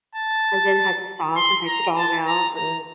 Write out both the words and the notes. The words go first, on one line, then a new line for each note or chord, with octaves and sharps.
and then had to stop and take the dog out and
A5
C6
A#5
A5
A#5
A#5